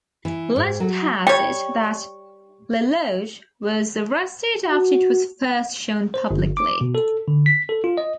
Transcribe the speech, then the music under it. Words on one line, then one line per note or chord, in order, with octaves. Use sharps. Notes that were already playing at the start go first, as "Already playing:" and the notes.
Legend has it that Lelouch was arrested after it was first shown publicly.
E3
G#2
F#3
G3 C#5 G5
F#4
C5
G1
D6
B2
A4
D3
B6
A4
F4
D#5